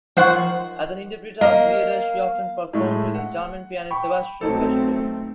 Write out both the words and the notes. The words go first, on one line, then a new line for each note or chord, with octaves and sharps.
As an interpreter of Lieder, she often performed with the German pianist Sebastian Peschko.
D#3 F3 C5 F#5 C#6
A#3 A#4 D#5 F5
A2 G#3 A3
F#5
G5 B5 C#6
B1 F#3 A3 C4 D#4 A4